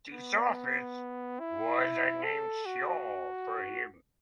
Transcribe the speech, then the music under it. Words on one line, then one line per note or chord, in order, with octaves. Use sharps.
This office was name Shaw for him.
B3
E4
A4
F#4